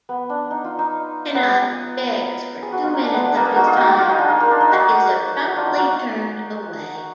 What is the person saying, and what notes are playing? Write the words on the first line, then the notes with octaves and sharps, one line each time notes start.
Pinnock begs for two minutes of his time, but is abruptly turned away.
B3
D4
D#4
F4
D#4
B3
G#4
F#4
F4
D#4
D4
B3
D4
A#3 B3
A#3
D#4 F#4
F4 G#4
D#4 F#4
F#4
F4
D#4
D4 F4
D#4
A#3
D4
D#4
D#4 F#4
F#4
D4 F4
D#4
D#4 F#4